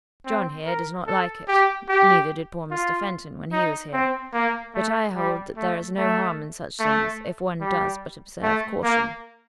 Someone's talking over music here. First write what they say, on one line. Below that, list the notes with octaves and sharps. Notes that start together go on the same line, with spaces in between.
"John here does not like it; neither did poor Mr. Fenton when he was here; but I hold there is no harm in such things if one does but observe caution."
C4
A#4
A4
G4
G4
F4
D#4
C4
A#3
A3
G3
A3
A3
A3
G3
A3
A#3